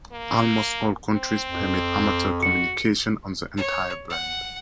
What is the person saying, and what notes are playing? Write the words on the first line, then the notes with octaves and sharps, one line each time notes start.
Almost all countries permit amateur communications on the entire band.
A#3
C4
F2
F#4 C#7
C#5
F#5